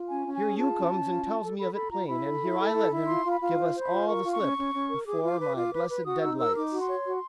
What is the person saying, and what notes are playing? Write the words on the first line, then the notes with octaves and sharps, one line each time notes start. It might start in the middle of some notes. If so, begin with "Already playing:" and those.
Here you comes and tells me of it plain; and here I let him give us all the slip before my blessed deadlights!
Already playing: F4
C#4 G#5
C#4
G#5
G#4
F4 A5
C#4
C#4
F4
F4
A4
A4 B5
A4 B5
F4 A#5
E4 B5
A4
E4
A4
E4
E4
F4 C6
F4
B5
F4
C5
C5
B5
F4
A#4 C#6
F4
C#6
C#4
C#4
C#4
A#4
G#4 D6
F4
B4
F4
B4
B4
F#4 D#6
D#4 E6
A#4 E6
D#4 D6
F#4
C6
C#5
F#4